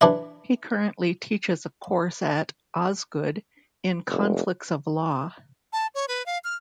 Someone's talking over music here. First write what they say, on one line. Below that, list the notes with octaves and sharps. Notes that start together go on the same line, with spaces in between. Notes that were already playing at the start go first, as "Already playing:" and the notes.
He currently teaches a course at Osgoode in conflicts of law.
E3 D4 E4
F1
A5
C#5
B4
F5
F6